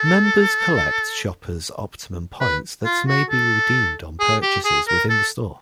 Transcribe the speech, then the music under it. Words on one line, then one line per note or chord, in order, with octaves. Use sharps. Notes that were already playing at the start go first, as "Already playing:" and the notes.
Members collect Shoppers Optimum points that may be redeemed on purchases within the store.
Already playing: A4
B4
F4
F#4
A4
G#4
G4
G#4
A#4
A4